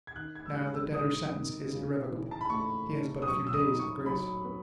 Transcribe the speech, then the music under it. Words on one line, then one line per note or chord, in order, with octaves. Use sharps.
Now, the debtor's sentence is irrevocable: he has but a few days of grace.
G#6
D#3 F#6
G#6
E6
G#3 F#6
E6
D#3 D#6
D#3
C#3
E3
A5
B5
A3 C#6
D#4
D#6
F#3 C#6
E6
D#6
D#4
C#6
F#3 B5
B3